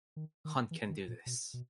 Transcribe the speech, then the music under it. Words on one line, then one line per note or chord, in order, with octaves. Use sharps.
Hunt can do this.
D#3
D#3
E3
D#3
A#2
B2
B2